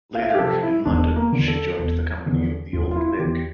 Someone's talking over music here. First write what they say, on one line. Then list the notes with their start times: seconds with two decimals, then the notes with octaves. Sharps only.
Later, in London, she joined the company of The Old Vic.
0.15 F5
0.22 E5
0.30 F5
0.35 G4
0.39 C3 F3 A4
0.63 E4
0.85 E1 D4
1.16 A#3
1.32 E2 D3
1.48 A4
1.79 E1
2.26 E2 D3
2.73 F1 F4
2.91 F4
2.96 E4
3.08 F4
3.19 E2 E3 G4